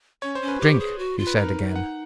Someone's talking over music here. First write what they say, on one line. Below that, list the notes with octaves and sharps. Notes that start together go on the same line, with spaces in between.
"Drink!" he said again.
C#4 C#5
C5
C#4
B4
G4
G#4
F#4
F4
B4
D#4 A#4
F#5